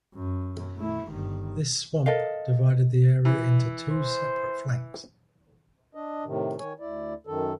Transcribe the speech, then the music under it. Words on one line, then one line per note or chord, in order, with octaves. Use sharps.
This swamp divided the area into two separate flanks.
F#2
A3 E4
G1 D#3
A4 A#4 D#5 F5
E3
C5
D4 D#5
A2 C3 D#3
D#3 C#5 G#5
D2 E4 D5
F#2 D#3 A4